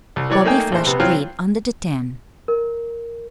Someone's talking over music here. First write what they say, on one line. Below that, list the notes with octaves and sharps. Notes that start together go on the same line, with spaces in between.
Bobby flushed red under the tan.
C2
E3 F#3 C#5 D5
A3 A#3 D#4 G5 G#5
A#1 C5
C3 B3
E3 F#3 C4 F4
A#4